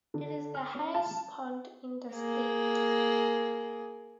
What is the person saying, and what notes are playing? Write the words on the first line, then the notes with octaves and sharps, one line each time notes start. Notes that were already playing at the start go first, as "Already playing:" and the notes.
It is the highest pond in the state.
D3
F6
C#4
A5
A#3 G#4